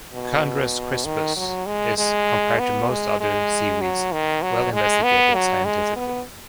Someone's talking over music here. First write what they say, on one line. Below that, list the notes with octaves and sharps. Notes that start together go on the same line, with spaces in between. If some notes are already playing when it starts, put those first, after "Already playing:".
"Chondrus crispus" is, compared to most other seaweeds, well-investigated scientifically.
B2
D#3
F#3
G#3
G#3
B3
G#3
G#3
F#3
D#3
F#3
G#3
B3
F#3
G#3
B3